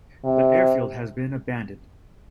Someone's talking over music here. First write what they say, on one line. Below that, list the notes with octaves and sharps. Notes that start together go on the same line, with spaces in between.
The airfield has been abandoned.
C3